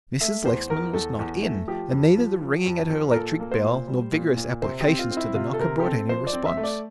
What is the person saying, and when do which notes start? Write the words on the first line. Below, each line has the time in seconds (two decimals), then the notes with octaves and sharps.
Mrs. Lexman was not in and neither the ringing at her electric bell nor vigorous applications to the knocker brought any response.
0.21 A3 E5
0.45 E2 C5
0.70 E2 A#4
0.93 E2 A4
1.19 E2
1.42 A3
1.68 F3 G4
1.92 F2
2.17 F3
2.41 F3
2.66 F2
2.90 F2
3.11 A#4
3.14 A#2 A4
3.40 A#3
3.52 C5
3.63 A#2
3.88 G3
4.13 A#2
4.37 A#2
4.62 C3 C5
4.81 G4
4.87 C4
4.99 F4
5.11 C4
5.17 E4
5.35 C3 F4
5.53 A4
5.59 C3 A#4
5.80 G4
5.84 C4 A4
6.09 F3 C5
6.27 D5
6.33 C4
6.46 E5
6.57 A3
6.63 D5